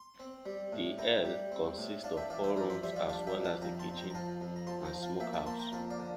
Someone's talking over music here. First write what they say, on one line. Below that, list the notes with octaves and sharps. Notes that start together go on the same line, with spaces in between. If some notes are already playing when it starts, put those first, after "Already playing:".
The ell consists of four rooms as well as the kitchen and smokehouse.
Already playing: C6
C4
G3
A2
E4 G5 A#5
G3
C4
A2
D4 F5 A5
E5 G5
E3 D5 F5
C5 E5
F2 A#4 D5
C5 E5
G3 C5 E5
D5 F5
D4 D5 F5
E5 G5
F2
F5 A5
F2 G5 A#5
A5 C6
F2
G5 A#5
A#5
F3 F5 A5
F2
A#5
F3 A5 C6
G5 A#5
F3
F5 A5
A#3 E5 G5
F5 A5
A#3 A5 C6
G5 A#5
F2 F5 A5
D5 F5
D3